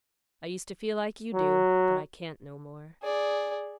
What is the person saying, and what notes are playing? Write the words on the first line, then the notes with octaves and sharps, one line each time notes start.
I used to feel like you do, but I can't no more.
F#3
G#4 D5